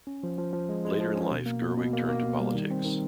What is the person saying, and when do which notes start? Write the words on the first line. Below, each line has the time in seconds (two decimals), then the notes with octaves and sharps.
Later in life, Gerwig turned to politics.
0.07 C#4
0.23 F3
0.38 F3
0.53 F3
0.69 G#3
0.85 G#3
1.01 F3
1.16 C#4
1.32 B2
1.46 A#3
1.62 B2
1.77 B2
1.93 A#3
2.09 A#3
2.23 B2
2.39 G3
2.54 D#3
2.71 C4
2.85 D#3